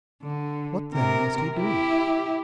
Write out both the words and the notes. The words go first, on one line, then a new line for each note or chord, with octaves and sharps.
What then must he do?
D3
C3 A#4
E4 G4